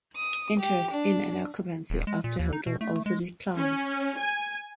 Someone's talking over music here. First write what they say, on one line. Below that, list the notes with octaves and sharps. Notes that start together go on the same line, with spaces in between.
Interest in and occupancy of the hotel also declined.
D#6
G4
D4
D#1
G#3
A#2
D#2
D#4
B2
A3
G#3
C#4
G#5